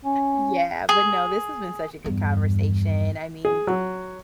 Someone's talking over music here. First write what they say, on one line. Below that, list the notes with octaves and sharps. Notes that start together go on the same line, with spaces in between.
Yeah. But no, this has been such a good conversation. I mean,
C#4
G#4
E2 G2
G#4
F#3